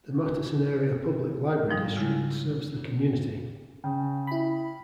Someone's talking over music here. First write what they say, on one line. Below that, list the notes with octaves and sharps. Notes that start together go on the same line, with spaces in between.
The Matteson Area Public Library District serves the community.
G#2 F3 G3 D#4
C#3 G#3 E4 F4
C#3 G5
E4 B5